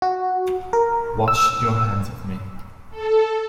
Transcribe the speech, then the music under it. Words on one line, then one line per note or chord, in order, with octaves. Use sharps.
Wash your hands of me.
F#4
A#4
E6
A4